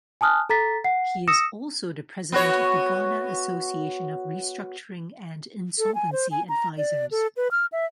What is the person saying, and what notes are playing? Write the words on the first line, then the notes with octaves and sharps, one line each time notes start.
He is also the President of the Ghana Association of Restructuring and Insolvency Advisors.
G#5 A5 D#6 F6 F#6
A4 A#5 A6 B6
F#5 C7
D#6 E6 A#6 C#7 E7
B3 F#4 C#5
A4
G#5
C5
G#5
A#5
D5
A4
B4
F6
E5